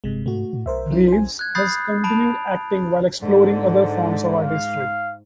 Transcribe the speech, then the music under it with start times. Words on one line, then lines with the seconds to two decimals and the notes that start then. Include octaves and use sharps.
Reeves has continued acting while exploring other forms of artistry.
0.04 F1 G2 C3 G#3
0.26 G#2 A3 F#4
0.53 A2
0.66 B1 A#4 C5 E5
0.90 F#3 C#4 E4
1.08 C5 G#5
1.39 F#6 G#6
1.55 B5 D#6 F#6 G6 A6 C7
2.04 A5 B5 D7 F7
3.23 G#2 D3
4.41 F5